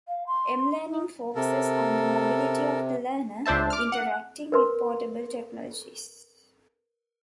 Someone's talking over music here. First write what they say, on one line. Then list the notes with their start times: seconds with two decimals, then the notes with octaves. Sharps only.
M-learning focuses on the mobility of the learner, interacting with portable technologies.
0.07 F5
0.26 C6
0.88 D#4
1.35 C3 A4 A#4
3.46 C#2 D4 C5 E5 A5
3.70 D6 F6
3.92 F#5
4.52 A#4 B4 C6